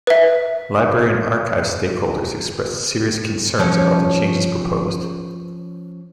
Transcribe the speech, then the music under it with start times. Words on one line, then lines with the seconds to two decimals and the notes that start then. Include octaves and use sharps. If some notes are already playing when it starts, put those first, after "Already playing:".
Library and Archives stakeholders expressed serious concerns about the changes proposed.
0.07 B4 E5
3.59 F3 C#4 C#5